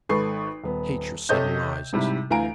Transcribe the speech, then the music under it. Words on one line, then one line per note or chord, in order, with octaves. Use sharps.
I hate your sudden rises.
G#1 A4 B4 C#6 C7
D#1 B3
C3 A4 C#5 D#5 G6
G#2 C3 G3 E4
D2 E3 F5 G#5 A#5 D7